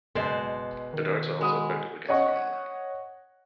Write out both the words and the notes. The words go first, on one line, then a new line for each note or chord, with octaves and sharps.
The darts are also effective against armour.
F#1 B2 G#3 C5 D5
D#3
G#3 F#4 B5 D#6
C#5 D#5 F#5 C#6